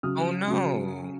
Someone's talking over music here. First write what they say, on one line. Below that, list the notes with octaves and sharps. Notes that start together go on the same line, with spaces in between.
Oh, no.
C#3 F#3 D#6 F6
C#3 F#3